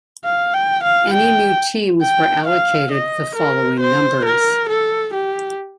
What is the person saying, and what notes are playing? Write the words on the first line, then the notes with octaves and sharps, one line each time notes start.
Any new teams were allocated the following numbers.
F5
G5
F5
G5
G5
F5
D#5
A#4
C5
A#4
A4
G4